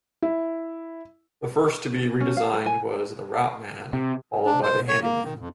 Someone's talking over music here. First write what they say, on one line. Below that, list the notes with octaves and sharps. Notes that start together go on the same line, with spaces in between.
The first to be redesigned was the Routeman, followed by the Handyman.
E4
C#4
F5
A4
G#5
C3
D4
C5
C#5
A#3
D#3
F2